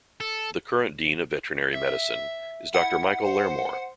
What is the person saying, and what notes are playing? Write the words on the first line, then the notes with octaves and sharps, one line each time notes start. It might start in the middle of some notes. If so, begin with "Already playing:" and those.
The current Dean of Veterinary Medicine is Doctor Michael Lairmore.
A4
E5
E4 F#5
C5